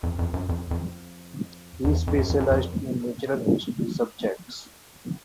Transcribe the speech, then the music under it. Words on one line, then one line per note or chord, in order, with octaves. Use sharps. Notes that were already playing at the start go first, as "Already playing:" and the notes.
He specialised in natural history subjects.
F2
F2
F#2
F2
F2
E2
F2
F#2
F2
F#2
F2